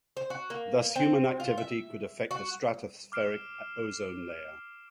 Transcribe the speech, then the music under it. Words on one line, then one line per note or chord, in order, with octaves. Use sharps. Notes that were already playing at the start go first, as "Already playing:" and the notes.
Thus human activity could affect the stratospheric ozone layer.
C5
F#4
A#3
C4
F4
E5
F#4
D6 F6 C7 D7 E7